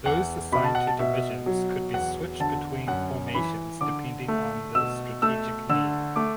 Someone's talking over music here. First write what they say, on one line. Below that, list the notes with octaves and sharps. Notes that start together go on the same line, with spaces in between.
Those assigned to divisions could be switched between formations depending on the strategic need.
E2 F#5
B2 B5
A5
F#5
A5
B2 E5
F#3
E2 F#5
D3 A5
F#2 F#5
E3 B5
D3 D6
A3
B2 E6
A3 E6
D3 E6
A3 D6